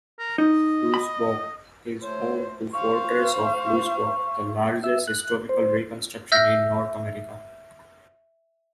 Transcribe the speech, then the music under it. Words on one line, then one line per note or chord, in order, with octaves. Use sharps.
Louisbourg is home to Fortress of Louisbourg, the largest historical reconstruction in North America.
A#4
D#4 D#5
B5
A3 C5 C#5
C5 F5 C#6
E5
F#6
C5
E5 E6 F6 G6 A#6